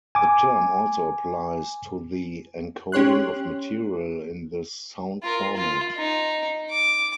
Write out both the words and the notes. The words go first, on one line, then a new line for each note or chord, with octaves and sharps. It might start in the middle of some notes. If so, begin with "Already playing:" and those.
The term also applies to the encoding of material in this sound format.
G#5 D6
C#4 G4 C#5 C6 F#6
F4 A#4
F4
D#4
D6